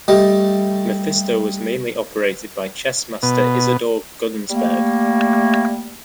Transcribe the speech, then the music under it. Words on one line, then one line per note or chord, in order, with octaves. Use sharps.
Mephisto was mainly operated by chess master Isidor Gunsberg.
G3 A3 G4 D#5
B2
G3 A3 A#3